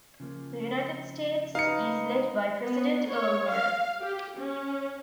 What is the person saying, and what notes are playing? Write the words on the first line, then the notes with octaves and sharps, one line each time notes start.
The United States is led by President Earl Warren.
C#3 F3 A#3
D#4 B4 F5 C#7
B3
C#5
F5
G4
C#4